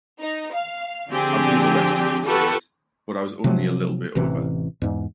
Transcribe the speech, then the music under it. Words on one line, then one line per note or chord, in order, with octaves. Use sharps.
As he is arrested he says, But I was only a little bit over.
D#4
F5
D3 F3 C4 D4 G4 G#4
F4 G4 A4 B4 F#5 C#6
C3 F3 F#3
A1 C3 E3
E2 G#2